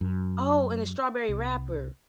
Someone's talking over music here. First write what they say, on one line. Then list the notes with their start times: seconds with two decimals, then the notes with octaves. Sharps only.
Oh, in a strawberry wrapper.
0.01 F#2
1.29 C2